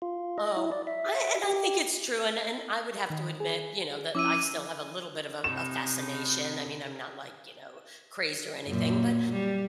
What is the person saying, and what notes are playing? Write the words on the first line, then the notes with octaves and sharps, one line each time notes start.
Oh, I and I think it's true, and and I would have to admit, you know, that I still have a little bit of a a fascination, I mean, I'm not, like, you know, crazed or anything, but
F4
D#5
E4
D5
E5
G4
D#3 D#5
G#4
F3 C#4 E4 D6 E6 D#7
A2 C3 D#4 E7
F#2 A#2
G3